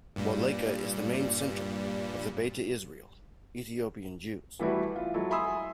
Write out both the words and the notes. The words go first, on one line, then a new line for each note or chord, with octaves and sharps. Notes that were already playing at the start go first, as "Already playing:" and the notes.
Wolleka is the main centre of the Beta Israel - Ethiopian Jews.
G2 A#2 G3
E3 G3 A3 E4 F#4
F4
F#3 G#3 E4 A4
E5 G#5 B5 C6 D#6 E6